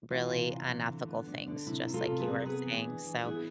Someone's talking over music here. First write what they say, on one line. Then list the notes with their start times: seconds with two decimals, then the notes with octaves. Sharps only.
really unethical things, just like you were saying, so
0.10 E3 F4
0.30 C3
0.49 C3
0.68 E3
0.89 D3
1.08 B3
1.27 D4
1.47 D3
1.67 C3 E4
1.87 C3
1.94 F4 A4
2.06 C3
2.20 G#4 B4
2.26 C3
2.40 A4
2.45 B3 G#4 B4
2.66 E3
2.85 D4
3.04 E3
3.23 B3 E4 G#4